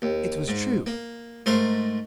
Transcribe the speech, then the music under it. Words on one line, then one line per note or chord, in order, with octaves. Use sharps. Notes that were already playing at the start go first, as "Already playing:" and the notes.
It was true.
D#2
G#2
A#3
G#2 A3 A#4 D#5 C6